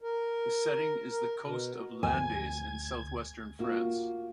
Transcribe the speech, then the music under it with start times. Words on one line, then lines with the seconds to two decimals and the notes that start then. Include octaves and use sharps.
The setting is the coast of Landes in southwestern France.
0.02 A#4
1.11 A#4
1.44 B2
2.03 D2 G#5 G#6
3.59 A#3 F4 F#4